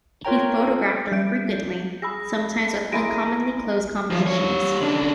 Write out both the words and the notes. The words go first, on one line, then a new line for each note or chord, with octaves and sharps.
He photographed her frequently, sometimes with uncommonly close compositions.
F4 A#4 C#5 G5 A#5
A4
G3 G6 D7
G#4 B5 E6 A#6
G#3 E4 A#4 A#6 D7 D#7
F3 F#3
G3 C#5
C#3 D4